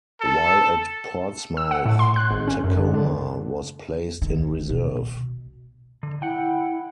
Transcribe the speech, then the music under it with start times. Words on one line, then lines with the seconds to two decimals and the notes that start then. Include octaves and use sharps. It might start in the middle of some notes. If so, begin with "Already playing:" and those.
While at Portsmouth, "Tacoma" was placed in reserve.
0.21 A4
1.57 E6
1.71 F#5
1.86 A2
1.99 C6
2.16 F#6
2.31 G#1
2.48 C#4
2.64 F#2
2.77 D3
2.94 D3
4.22 D#3
4.69 B2
6.03 D3
6.22 E4 F#5 G5